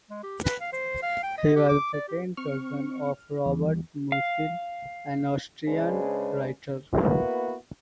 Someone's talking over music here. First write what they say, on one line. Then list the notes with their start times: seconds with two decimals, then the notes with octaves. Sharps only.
He was a second cousin of Robert Musil, an Austrian writer.
0.10 G#3
0.23 G4
0.44 B4
0.61 F5
0.73 C5
1.02 F5
1.23 G5
1.38 D#5
1.56 G4
1.69 D6
1.93 D5
2.08 G4
2.37 C4 C#6 F6
3.46 E2
3.59 E3 G3
4.12 F5
5.67 C#3 G#3 D4 G#4 B4 C5
7.00 A#3 B3 E4 F#4 B4